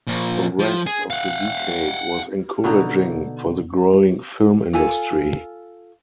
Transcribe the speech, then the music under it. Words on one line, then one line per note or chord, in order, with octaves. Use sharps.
The rest of the decade was encouraging for the growing film industry.
A#2 F3
F3
G#4
F5 F#5
B2 D3 D#4
F4 A4 G#5